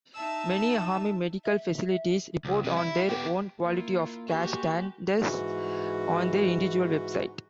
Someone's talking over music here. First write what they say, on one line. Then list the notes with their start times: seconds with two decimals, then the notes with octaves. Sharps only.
Many Army medical facilities report on their own quality-of-care standards on their individual website.
0.14 D#4 E5 A5 E6
1.44 E5
2.45 C#2
2.64 C3 G3
2.76 E4
3.09 B3 G4
3.61 A#3 E4 F4
4.28 G#3 F#4 G4 C#6
5.18 G#2 E3 F#4